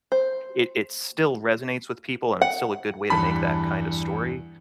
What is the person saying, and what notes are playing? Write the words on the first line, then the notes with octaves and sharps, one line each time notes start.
it it still resonates with people and it's still a good way to make that kind of story,
C5
F#5
E2 G2 A5 B5 B6